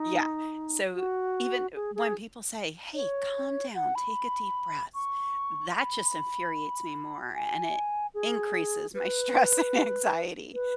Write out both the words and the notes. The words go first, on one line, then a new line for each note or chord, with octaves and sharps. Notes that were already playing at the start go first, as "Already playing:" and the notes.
Yeah. So even, eh, when people say, “Hey, calm down, take a deep breath.” That just infuriates me more, and it increases my stress and anxiety.
Already playing: D#4
F#4
G#4
G#4
C#5
F#5
B5
C#6
B5
G#5
G#4
B4
B4